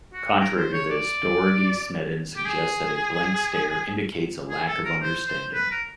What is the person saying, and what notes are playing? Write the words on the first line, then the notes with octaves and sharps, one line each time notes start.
Contrary to this, Doherty-Sneddon suggests that a blank stare indicates a lack of understanding.
F#4
A#4
C5
C#5
D5
G4
G#4
G#4
A4
A#4
C5
C5
B4
A#4